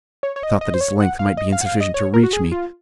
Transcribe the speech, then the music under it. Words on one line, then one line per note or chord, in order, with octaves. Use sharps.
I thought that its length might be insufficient to reach me.
C#5
C#5
D#5
D#5
C5
C#5
F#5
F5
D#5
F5
F#5
F5
D#5
C#5
A#4
F#4
G#4
F4